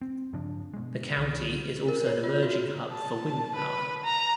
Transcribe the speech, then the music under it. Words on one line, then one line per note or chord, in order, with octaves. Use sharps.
The county is also an emerging hub for wind power.
C4
G2 C#3 F3 D4
B2 G#3
C2 D#3
A#4
C#5
F4
F#4
A5
B4
A#5